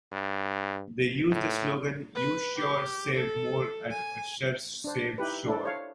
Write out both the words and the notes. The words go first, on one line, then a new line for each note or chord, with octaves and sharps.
They used the slogan You sure save more at a ShurSave store.
G2
A2
B4
G4
A4
G#5
D4 C5
D#4 E4 G4 B4
D4 E4 A4 D5
C5 C#5 F5